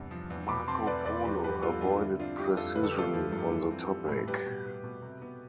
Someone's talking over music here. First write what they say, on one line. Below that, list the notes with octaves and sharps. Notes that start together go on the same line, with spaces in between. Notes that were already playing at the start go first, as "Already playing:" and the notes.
Marco Polo avoided precision on the topic.
Already playing: E2 G2 C3
F3
E2
B2 B5 D6
C4 A5 C6
A3 B4 D5
E2 B4 D5
F3 G4 B4
G2 G4 B4
B3 F4 A4
G2 D4 F4
F4
D3 E4
C4 D4 F4
G3 E4 G4
G4
F2 F4 A4
D3 B4
A4
G4
A3 F4 A4
F3
G2
E3
C4
G3
A2
G3 G4 B4
B2
B3
B2
C3
B3